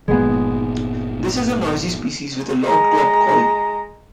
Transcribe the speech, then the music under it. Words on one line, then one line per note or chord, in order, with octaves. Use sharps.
This is a noisy species with a loud "clowp" call.
G1 A#2 G#3 B3
G#3 A#5